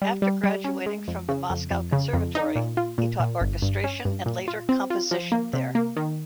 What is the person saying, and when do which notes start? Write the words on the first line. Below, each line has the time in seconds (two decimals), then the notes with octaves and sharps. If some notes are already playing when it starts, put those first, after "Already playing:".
After graduating from the Moscow Conservatory, he taught orchestration and later composition there.
0.02 G3
0.22 G3
0.44 G3
0.64 C#4
0.86 G#3
1.08 F2
1.29 C#3
1.50 F2
1.71 F2
1.93 C#3
2.13 F2
2.35 D#4
2.56 A#2
2.77 F4
2.98 A#2
3.20 A#2
3.41 G1
3.62 G2
3.84 C#4
4.05 G2
4.26 A#2
4.48 F4
4.69 C4
4.90 F4
5.11 F3
5.32 A#3
5.53 C3
5.75 A#3
5.97 D#3